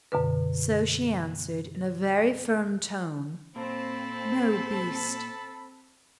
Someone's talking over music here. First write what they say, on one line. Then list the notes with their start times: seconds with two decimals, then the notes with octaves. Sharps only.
So she answered, in a very firm tone, "No, beast."
0.12 F#2 B2 D3 B4
3.56 A#2 C4 A4 A5 B5